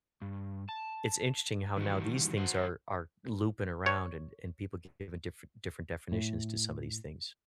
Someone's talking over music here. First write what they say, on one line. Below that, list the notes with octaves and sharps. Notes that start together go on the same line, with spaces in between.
it's interesting how now these things are are looping around, and and people giving different different definitions to some of these things.
G2
A5
D#3 E3 G3 F#4
F#4 C5 F#5
C#5
A2